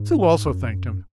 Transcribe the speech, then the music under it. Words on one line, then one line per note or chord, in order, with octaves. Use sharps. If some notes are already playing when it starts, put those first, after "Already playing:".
Sue also thanked him.
Already playing: G#2
E2
F#2